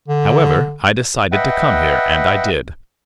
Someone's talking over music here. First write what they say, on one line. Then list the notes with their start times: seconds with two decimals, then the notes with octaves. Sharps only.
However, I decided to come here, and I did.
0.08 D3
1.32 B4 D#5 E5 F#5 G5